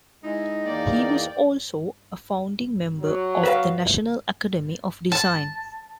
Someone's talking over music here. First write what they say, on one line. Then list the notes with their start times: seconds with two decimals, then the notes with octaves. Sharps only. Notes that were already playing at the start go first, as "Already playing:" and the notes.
He was also a founding member of the National Academy of Design.
0.24 G#3 D#4 E4
0.65 E2 A#3 D5 G5
3.00 F#3
3.43 B4 E5 F5
5.12 A5